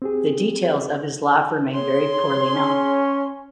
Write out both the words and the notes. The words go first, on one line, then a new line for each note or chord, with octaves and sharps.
The details of his life remain very poorly known.
C4 G4 G#4
G#4 C#5 C6
C#4